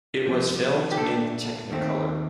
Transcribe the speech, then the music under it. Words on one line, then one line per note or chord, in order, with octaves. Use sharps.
It was filmed in Technicolor.
C2 C3 F3
G4
A#2 A3 D4 A4
D#2 D#3 A3 C4